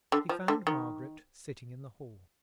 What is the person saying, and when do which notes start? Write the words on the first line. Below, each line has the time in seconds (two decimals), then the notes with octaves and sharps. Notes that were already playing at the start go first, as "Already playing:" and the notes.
He found Margaret sitting in the hall.
0.12 D3
0.29 F3
0.48 D3
0.67 D#3